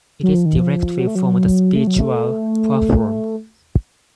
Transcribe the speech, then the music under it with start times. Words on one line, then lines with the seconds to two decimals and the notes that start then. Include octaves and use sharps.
It is directly from the spiritual platform.
0.23 F#3
0.34 F3
0.45 D#3
0.56 F3
0.99 F#3
1.07 A3
1.15 F#3
1.76 A3
1.87 F#3
1.99 A3